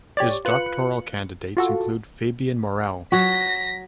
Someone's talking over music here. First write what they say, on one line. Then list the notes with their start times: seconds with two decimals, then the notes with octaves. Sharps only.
His doctoral candidates include Fabien Morel.
0.17 G4 C#5 D5
0.45 F4 B4 F#6 C#7
1.57 F4 F#4 A4
3.12 F#3 F#4 A#6 B6